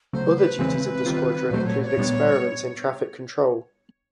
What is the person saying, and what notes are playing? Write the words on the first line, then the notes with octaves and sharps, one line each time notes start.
Other duties of the squadron included experiments in traffic control.
C#3 F#3 A3 C5
B4
C#3 E3 G#3 C4
D#3 G3 C4 F4
A#2 F#3 A3 C5
C#5
D5
C#5
A#2 G3 B3 D4